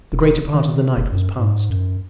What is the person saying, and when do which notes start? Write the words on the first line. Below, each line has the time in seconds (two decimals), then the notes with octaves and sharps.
The greater part of the night was past.
0.12 E1
0.54 D#3
0.97 F#1
1.12 F#2
1.39 G#2
1.70 F#2